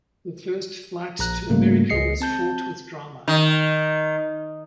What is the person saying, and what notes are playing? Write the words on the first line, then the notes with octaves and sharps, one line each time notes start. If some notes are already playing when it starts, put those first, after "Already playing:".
The first flight to America was fraught with drama.
A#1 A#5 F#6
G#2 C#3 G3 A3 A#3
C#2 G#4 D#5 C7 C#7
C4 A5 G6
D#3